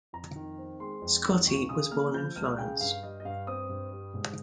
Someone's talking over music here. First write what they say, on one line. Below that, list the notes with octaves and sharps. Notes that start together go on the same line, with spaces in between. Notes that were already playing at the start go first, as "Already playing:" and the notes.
Scotti was born in Florence.
F2 A#5
D#3
C4
G#3 C6
F2
D#3
C#2 C#6
C#3 D#6
A#3 F6
F3 G6
C#2 F6
C#3 G5
G2 F5
G3 D#5
D#5
G2 F5
C4 D#6
G2
G3
G#2